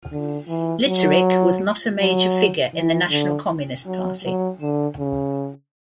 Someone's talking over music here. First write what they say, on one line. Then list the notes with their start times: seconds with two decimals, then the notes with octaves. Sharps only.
Litterick was not a major figure in the national Communist Party.
0.12 D3
0.48 E3
0.87 F#3
1.99 F#3
2.74 E3
3.10 D3
3.86 F#3
4.24 F#3
4.61 D3
4.99 C#3